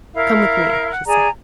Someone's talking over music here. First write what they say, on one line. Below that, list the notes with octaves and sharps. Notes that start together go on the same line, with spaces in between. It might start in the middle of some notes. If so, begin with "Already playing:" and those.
'Come with me,' she said.
E4 A#4 F5
F#5
G#4 D5 G#5 A#5